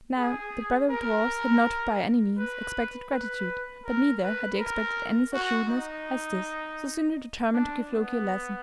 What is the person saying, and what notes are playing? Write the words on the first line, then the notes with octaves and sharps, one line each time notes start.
Now the brother dwarfs had not by any means expected gratitude, but neither had they expected any such rudeness as this, so Sindri determined to give Loki a lesson.
G#4
A#4
B4
B4
A#4
B4
A#4
F#4
D#4
D4
B3